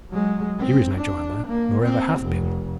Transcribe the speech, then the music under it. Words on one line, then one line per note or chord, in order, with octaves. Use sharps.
Here is no Joanna, nor ever hath been.
F#3 G#3
C4
D4
A#3
C4
F1 F2